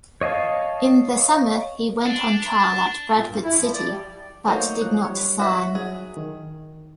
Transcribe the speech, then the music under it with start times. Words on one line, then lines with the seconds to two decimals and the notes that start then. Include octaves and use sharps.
In the summer he went on trial at Bradford City, but did not sign.
0.21 C#5 D#5 F5 A5
2.06 D4
3.13 A#2
3.26 G2
3.44 E4
3.59 F3
3.74 D5
3.88 G3
4.48 F#3 A3 A#3 D#4 C5
4.82 F3 F#6
5.05 G3 C#5
5.39 F#4 E5
5.75 F#3 G#4
6.17 D#3